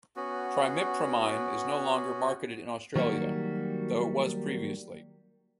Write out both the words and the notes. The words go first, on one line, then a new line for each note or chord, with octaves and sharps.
Trimipramine is no longer marketed in Australia, though it was previously.
B3 C#4 F#4
D#3 F#3 G3 A#3 F#4